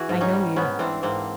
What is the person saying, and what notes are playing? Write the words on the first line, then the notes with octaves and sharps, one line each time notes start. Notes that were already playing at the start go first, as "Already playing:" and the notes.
I know you.
Already playing: E3 F#4 G#4
G#2
C#4 D#4
G3
G#2 B3 C#4
E3 C4 D4
G#2 A#3 C4